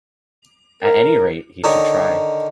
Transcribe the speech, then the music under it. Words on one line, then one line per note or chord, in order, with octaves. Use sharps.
At any rate, he should try.
A#4
D3 D#3 D#4 C#5 A#5